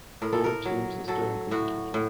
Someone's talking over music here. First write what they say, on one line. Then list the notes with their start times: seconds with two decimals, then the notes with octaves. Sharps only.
Bold teams are still in competition.
0.22 A2 A#4
0.33 A4
0.44 A#4
0.65 F#3
1.08 F#3 A4
1.51 A2 F#4
1.94 A2